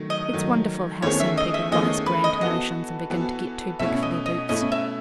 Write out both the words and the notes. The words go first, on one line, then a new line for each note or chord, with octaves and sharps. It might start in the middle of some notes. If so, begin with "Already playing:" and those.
It's wonderful how soon people rise grand notions and begin to get too big for their boots.
Already playing: D#3 F#3 A3
D#5
D#3 F#3 A3
E2 D#3 A3 C#4 G#4 C#5
E5
D#5
E5
E2 D#3 A3 C#4 G#4 D#5
B4
D#5
E3 B3 F#4 A4 D#5
E3 B3 F#4 A4
B2 A3 C#4 E4 E5
D#5
D#5
B2 A3 C#4 E4 D#5
E5